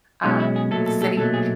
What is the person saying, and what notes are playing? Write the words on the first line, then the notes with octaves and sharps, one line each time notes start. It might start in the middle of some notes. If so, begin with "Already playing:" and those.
um, city.
B1 B2 G#3 C#4 D#4
E4
G#4
B1 A#2 F#3 A3 A4
A4
A4
B1 A#2 F#3 A3 A4
G#4